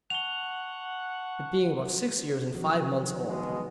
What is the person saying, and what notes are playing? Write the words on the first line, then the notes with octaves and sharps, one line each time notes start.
It being about six years, and five months old.
F#5 A5 C#6 F#6 F7 G7
D#3 F3 F#3 F#4
B2 G#3